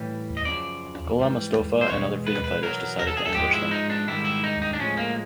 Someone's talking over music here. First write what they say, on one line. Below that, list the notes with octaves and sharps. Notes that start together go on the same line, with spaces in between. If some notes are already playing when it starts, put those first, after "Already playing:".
Golam Mostofa and other freedom fighters decided to ambush them.
Already playing: A2 E3 G3
D#5
F#2 C#3 F3 D5
G#2 E3 G3
C5
E2 B2 G#3 C#5
B4
B4
E2 B2 F#3 A#4
A#4
A4
G#4
A4
G#2 F3 G#3 G4
E4
D#4
D4
G#2 D#3 G3 E4
E4
D#4
D#4
D4
A2 F3 G#3 C#4
A#3